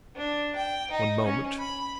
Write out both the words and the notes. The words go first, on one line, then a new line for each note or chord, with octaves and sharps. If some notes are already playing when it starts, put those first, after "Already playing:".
One moment.
D4
G5
D#4
C#4
B5